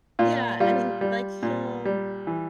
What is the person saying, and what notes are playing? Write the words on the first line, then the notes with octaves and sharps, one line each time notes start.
Yeah, I mean, like, he'll
A#2 F4
G3 F4
G3
A#2
G3
E3